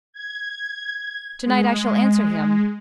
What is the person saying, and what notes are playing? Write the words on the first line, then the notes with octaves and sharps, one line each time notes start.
To-night I shall answer him.
G#6
G#3